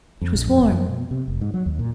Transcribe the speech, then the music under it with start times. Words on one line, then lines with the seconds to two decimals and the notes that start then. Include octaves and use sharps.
It was warm.
0.21 F2
0.34 A#1
0.47 F2
0.59 F#1
0.71 F#2
0.88 B2
1.11 C3
1.28 F1
1.41 G#2
1.54 F#3
1.66 D#2
1.79 A#2